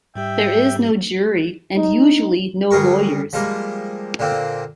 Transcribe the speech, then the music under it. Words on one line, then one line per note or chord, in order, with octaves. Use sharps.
There is no jury and usually no lawyers.
G#2 G3 G4 E5 G5
D#4
D2 G3 G#4 A#4 C#6
F3 G3 G#3 A#3
A#2 D3 A#3 C4